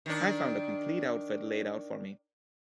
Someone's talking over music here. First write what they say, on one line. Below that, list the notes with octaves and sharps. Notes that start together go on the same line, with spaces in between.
I found a complete outfit laid out for me.
D#3 D4